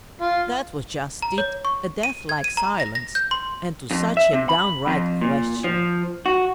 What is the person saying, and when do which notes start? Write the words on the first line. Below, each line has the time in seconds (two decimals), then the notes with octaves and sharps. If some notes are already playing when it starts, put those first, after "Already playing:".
That was just it, a deathlike silence, and to such a downright question.
0.21 F4
1.22 A#5
1.38 C#5
1.65 C#6
2.03 D#7
2.29 G#6
2.44 D#7
2.57 A#5
2.80 A#6
2.95 A#6
3.15 G6
3.31 C6
3.91 F2
4.17 E5
4.33 C3
4.49 B5
4.87 F2
5.21 A#2
5.64 F3
6.26 F#4